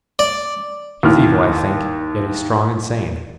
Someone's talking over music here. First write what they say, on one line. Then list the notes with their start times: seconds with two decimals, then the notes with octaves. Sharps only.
"He's evil, I think, yet he's strong and sane."
0.19 D5
1.03 D#2 E4 F6